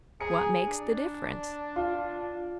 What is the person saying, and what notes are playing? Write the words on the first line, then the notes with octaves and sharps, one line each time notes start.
What makes the difference?
G#4 A#5 C#7
D4
F4